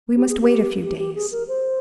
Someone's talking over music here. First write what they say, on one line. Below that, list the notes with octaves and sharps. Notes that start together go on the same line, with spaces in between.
We must wait a few days.
G4
G#4
G4
G4
G4
G#4
A#4
C5